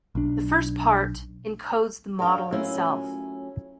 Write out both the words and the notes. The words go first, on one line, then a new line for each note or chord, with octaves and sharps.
The first part encodes the model itself.
B1 D4
F#2 D4 A#4 F5 G5
F#3 A3 C#4 E4 F4 A#4